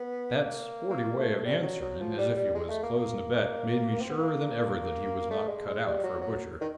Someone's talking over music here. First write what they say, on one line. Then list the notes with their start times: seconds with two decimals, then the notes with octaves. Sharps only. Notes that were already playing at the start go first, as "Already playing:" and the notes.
That sporty way of answering, as if he was closing a bet, made me surer than ever that he was not cut out for a butcher.
Already playing: B3
0.36 A#3
0.90 A#3
1.18 A3
1.45 G3
1.63 F#3
1.82 F#3
2.00 F3
2.18 G3
2.36 G3
2.55 G#3
2.69 A3
2.83 A#3
2.97 A#3
4.01 C4
4.10 B3
4.21 A#3
5.31 A3
5.48 G#3
5.68 G#3
5.86 G3
6.04 F#3
6.21 F#3
6.61 D#3